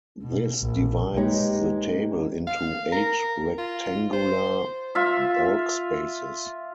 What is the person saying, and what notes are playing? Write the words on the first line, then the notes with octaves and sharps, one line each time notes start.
This divides the table into eight rectangular balkspaces.
B2
A#1
G#3 A#3 D#4 G4 B4 C#5
F5
A#4
F4
C5
F4 E5